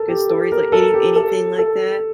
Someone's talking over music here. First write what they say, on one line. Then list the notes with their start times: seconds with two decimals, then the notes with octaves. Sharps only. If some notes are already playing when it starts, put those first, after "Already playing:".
good stories, like any anything like that?
Already playing: A4 A#4
0.08 G4
0.29 A4
0.52 A#4
0.72 A4
0.94 G4
1.16 A4
1.58 A4